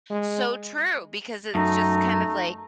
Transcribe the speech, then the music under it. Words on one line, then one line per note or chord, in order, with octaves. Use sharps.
so true because it's just kind of like,
G#3
F#2 A3 D#4